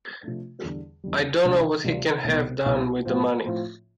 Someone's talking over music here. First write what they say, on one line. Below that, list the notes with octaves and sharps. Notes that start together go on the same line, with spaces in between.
I don't know what he can have done with the money.
C3 F3 A3 D4
E2 D3 G3
E2 D3 G3
D2 C3 G3 D4 F4
D2 C3 G3 D4 F4
C2 B2 B3
C2 B2 B3
A2 F3 C4 F4
A2 F3 C4 F4